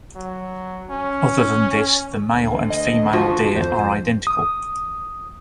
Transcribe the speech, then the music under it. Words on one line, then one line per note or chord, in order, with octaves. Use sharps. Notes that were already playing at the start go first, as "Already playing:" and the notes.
Other than this, the male and female deer are identical.
F#3
C#4
D2
D#5
F3 F#4
F2 C5
D#6